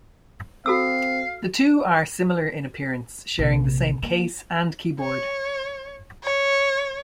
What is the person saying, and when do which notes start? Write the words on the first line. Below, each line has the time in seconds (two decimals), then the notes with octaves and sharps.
The two are similar in appearance, sharing the same case and keyboard.
0.66 C4 F#4 A4 F5 E6
3.39 A#1 C3
4.02 A#3
5.00 C#5
6.23 C#5